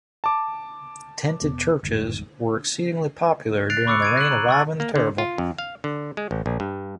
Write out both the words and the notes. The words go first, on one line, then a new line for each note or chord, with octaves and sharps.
Tented churches were exceedingly popular during the reign of Ivan the Terrible.
A5 D6
E1 B3
G1 E2 G#2
F#6 A6 C7 D7 F7
B5 C#6 D6 E6 F#6 C#7
G#6 D7 D#7
F#6 F#7
A#5
C#6 E6 A6
A#3
D3
F4
F2
F5
D3
G#3
A1
A#1
G2